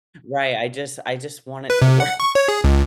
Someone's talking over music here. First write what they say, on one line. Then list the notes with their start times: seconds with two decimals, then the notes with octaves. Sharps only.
Right, I just I just want it to work,
1.70 B4
1.82 C3
2.00 F#5
2.20 C#6
2.35 C#5
2.48 G#4
2.64 C#2